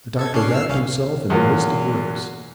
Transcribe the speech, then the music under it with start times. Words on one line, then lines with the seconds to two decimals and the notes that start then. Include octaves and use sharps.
The doctor wrapped himself in a mist of words.
0.19 A4 G#6
0.34 C#4 D4 C7
0.54 E6 F6 C7
0.69 C2 C#4 F5
1.30 E2 F#3 A#3 F4